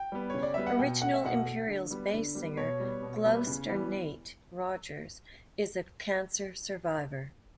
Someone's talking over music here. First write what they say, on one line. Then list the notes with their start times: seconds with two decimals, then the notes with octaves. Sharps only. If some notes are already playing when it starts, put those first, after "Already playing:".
Original Imperials bass singer Glouster "Nate" Rogers is a cancer survivor.
Already playing: G5
0.12 G3 B3
0.30 C#3 C#5
0.43 D5
0.54 G3 B3 E5
0.66 F#5
0.79 B2 G5
1.01 A3 F#5
1.13 E5
1.23 B2 F#5
1.46 A3
1.68 D3
1.91 G3 B3
2.13 D3
2.35 G3 B3
2.57 B2 C#5
2.80 G3 B3
3.03 B2
3.25 G3 B3
3.47 C#3
3.69 E3 G3 B3